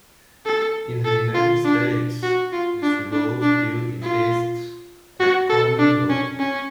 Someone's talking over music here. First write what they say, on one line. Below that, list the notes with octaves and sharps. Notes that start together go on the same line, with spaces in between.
In the United States, this rule still exists at common law.
A4
A4
F4
D4
F#4
F4
D4
D4
D4
F4
F#4
A4
D4
C#4
C#4